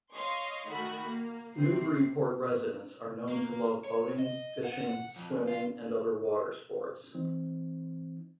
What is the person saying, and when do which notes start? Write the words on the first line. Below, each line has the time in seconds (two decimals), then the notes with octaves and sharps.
Newburyport residents are known to love boating, fishing, swimming, and other water sports.
0.14 C#5 D#5 F5 C6 C#6
0.67 D#3 A3 F#4 B5
1.04 A#3
1.56 C3 C4 C7
3.29 A#3
3.84 C#5
4.19 D#5
4.64 F#5
5.16 F2
5.47 F4
7.14 E3 C4 D#4